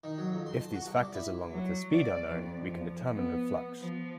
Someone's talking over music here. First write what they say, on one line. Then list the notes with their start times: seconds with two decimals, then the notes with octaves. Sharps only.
If these factors, along with the speed are known, we can determine the flux.
0.04 D#3
0.18 F#3
0.32 F2
0.46 C6
0.61 A5
0.74 F#4
0.86 C2
1.03 D5
1.14 E4
1.51 F#3
1.93 D5
2.27 F2
2.62 F3
3.13 B3
3.79 F3